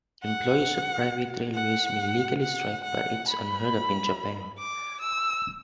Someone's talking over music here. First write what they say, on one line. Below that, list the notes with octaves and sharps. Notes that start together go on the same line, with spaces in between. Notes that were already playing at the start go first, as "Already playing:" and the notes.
Employees of private railways may legally strike but its unheard of in Japan.
F#5
F#5
F#5
F#5
B5
D6
E6